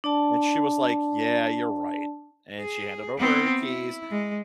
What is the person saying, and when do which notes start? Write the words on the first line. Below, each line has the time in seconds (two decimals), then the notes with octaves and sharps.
and she was like, "Yeah, you're right," and she handed over her keys,
0.04 D4 D5 A5
2.59 G#4
3.18 B3 C4
3.62 E4
4.11 G#3